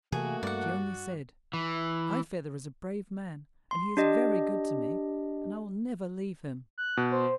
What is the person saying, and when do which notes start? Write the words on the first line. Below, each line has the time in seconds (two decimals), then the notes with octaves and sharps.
But she only said, "High-feather is a brave man, and he is very good to me, and I will never leave him."
0.12 C3 E3 A3 A#3 F#4 G#4
0.43 G2 D5 F#5
1.53 E3
3.71 C6
3.97 D4 G4 D#5
6.78 F#6
6.97 B2
7.12 C5